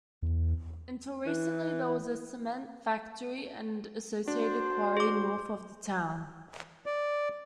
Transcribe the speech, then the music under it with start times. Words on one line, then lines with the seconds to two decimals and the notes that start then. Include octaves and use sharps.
Until recently there was a cement factory and associated quarry north of the town.
0.22 E2
1.26 E3
4.28 D4 F#4 C5
4.97 G#4 D6
6.86 D5